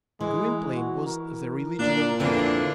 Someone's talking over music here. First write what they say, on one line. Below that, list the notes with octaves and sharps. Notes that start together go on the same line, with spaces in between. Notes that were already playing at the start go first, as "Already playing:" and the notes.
Gwynplaine was the religion of Dea.
E3 G#3
F#4
A#4
A#2 D4
F2 D3 E3 A#3 C4 D4